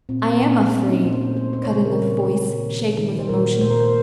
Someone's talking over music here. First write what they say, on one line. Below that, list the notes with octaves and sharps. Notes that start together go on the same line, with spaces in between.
"I am afraid," cut in a voice shaken with emotion.
A#2 C4
C4
A#2 A#3
C4
A3
C#4
D#4
A#2 C5
A3 C5
C5
C#5
C#3 C5
A#4
A#2 C#5
A#2
D#3
D#3
C5
A#2 A#4
A#2 C5
A#4
C5